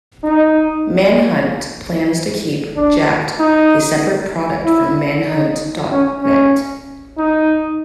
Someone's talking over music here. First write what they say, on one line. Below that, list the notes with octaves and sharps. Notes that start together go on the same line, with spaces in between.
Manhunt plans to keep Jack'd a separate product from Manhunt dot net.
D#4
D4
D#4
E4
D#4
C#4
C#4
D#4